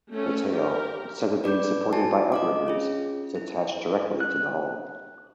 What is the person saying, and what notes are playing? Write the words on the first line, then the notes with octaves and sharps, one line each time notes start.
The tail, instead of being supported by outriggers, is attached directly to the hull.
A3 C#4
G4 A#4
B4 D5 D6 G6
E4 F#4 G#5 A5
D#5 F5 D6
C#4 F4 G#4
E4
F#6